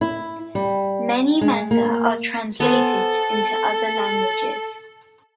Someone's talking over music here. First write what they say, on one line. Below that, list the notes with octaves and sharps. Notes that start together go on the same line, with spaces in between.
Many manga are translated into other languages.
E4
G3
G#3
A#3
B3 A4 C5 G#5